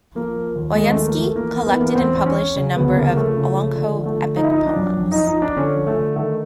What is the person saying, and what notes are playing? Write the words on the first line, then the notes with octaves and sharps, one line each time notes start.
Oyunsky collected and published a number of Olonkho epic poems.
F3 A#3
F3
D#2
D#2 G#3
A3
F3
A#3
F3 A3
E3 A#3
E2
B3
E3
A#3
B3
E2 C4
E2
C#4
E2
C#3
D2 B3
C#3 A#3
F3 A3
C#3
F3
D3
F3
A3
D3
F3 D#4
E4
D#4
F3
D4
F#2
F2
D#4
F3
D#4
F3
D4
D3 C#4
F3
A3
D3
D#3 A3